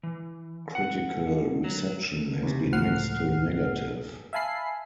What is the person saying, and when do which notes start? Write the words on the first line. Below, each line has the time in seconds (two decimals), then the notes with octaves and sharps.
Critical reception has been mixed to negative.
0.03 E3
0.75 F#5
1.64 F#3
2.43 C#2 C3
2.72 C#2 A2 F3 F#5 F6 C7
4.33 E5 F5 G#5 A5 B5 C7